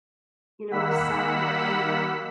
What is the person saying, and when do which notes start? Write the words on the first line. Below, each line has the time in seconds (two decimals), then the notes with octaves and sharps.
you know, we're sad, we're angry.
0.71 D#3 A#3 F#5 B5 E6 B6